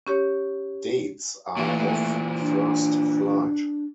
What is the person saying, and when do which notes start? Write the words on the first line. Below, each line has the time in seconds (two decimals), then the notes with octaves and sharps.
Dates are of first flight.
0.07 C#4 G4 C#5
1.57 A#2 E3
1.72 A3
2.41 D4